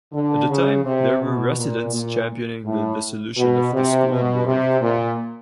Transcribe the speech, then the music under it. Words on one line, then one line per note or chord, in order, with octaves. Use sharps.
At the time there were residents championing the dissolution of the school board.
D3
C#3
C3
B2
A#2
A#2
A2
B2
C3
B2
C3
A#2